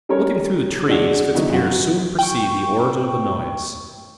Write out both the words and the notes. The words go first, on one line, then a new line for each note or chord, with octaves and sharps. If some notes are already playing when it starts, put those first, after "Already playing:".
Looking through the trees Fitzpiers soon perceived the origin of the noise.
G3 C#4 A4 A#4 C#5
G#3 D4 F#4
D3 F#3 B3 D#4 E4 F#4
F#2 F4 F#4
G5 C#6